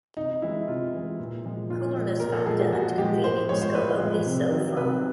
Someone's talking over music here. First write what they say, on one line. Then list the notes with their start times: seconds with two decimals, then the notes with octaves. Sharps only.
Coolness factor and convenience go only so far.
0.17 C3 D#4
0.42 E3 G#3 E4
0.68 C3 F4
0.93 E3 G#3
1.19 A#2
1.45 F3 G#3
1.70 A#2 F4
1.96 F3 G#3
2.20 A#2 A#4
2.33 A4
2.46 F3 G#3 G#4
2.59 G4
2.72 A#2 F#4
2.98 F3 G#3 G4
3.24 A2 C5
3.49 F3 G#3 C#5
3.62 C5
3.74 A2 B4
4.00 F3 G#3
4.26 C3
4.51 D#3 F#3
4.77 C3 B4